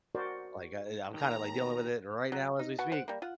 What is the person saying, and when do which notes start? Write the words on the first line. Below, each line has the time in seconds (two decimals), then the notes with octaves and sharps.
Like, I I'm kinda, like, dealing with it right now as we speak.
0.15 F#4 A#4 C5 D5
1.14 D#2 A#5
2.32 F#3
2.59 D#4
2.79 B3 F#4 F#5 A5
2.92 C5 F#5
3.08 G3 A#3
3.22 F4 F#5